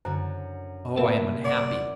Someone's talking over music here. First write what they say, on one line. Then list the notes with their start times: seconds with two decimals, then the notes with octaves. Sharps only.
Oh, I am unhappy!
0.05 F#2 D3 E4 C5 A#5
0.97 C3 A#3 A#4 E5 A5 B5
1.44 D5 F#5 C6 D6